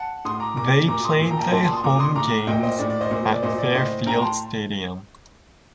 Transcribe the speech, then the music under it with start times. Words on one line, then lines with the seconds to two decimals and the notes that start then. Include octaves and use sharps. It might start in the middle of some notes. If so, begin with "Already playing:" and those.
They played their home games at Fairfield Stadium.
Already playing: F#5 A5
0.25 A2 C6 D#6
0.40 A#5 D6
0.56 A#2 A#5 D6
0.88 A#2 A#5 D6
1.04 C6 D#6
1.20 A#2
1.30 G5 A#5
1.37 A5
1.41 G5 A#5
1.51 A#2 A5 C6
1.62 A5 C6
1.73 C6 D#6
1.84 A#2 A#5 D6
1.99 C6 D#6
2.15 A2 A#5 D6
2.47 A#2 D#5 G5
2.63 C5 D#5
2.79 A2 D5
2.90 D5
3.01 C5 D#5
3.11 A#2
3.32 D5
3.43 A#2 C5 D#5
3.58 D5
3.75 A2 C5 D#5
4.06 A2 G5 A#5
4.22 A5 C6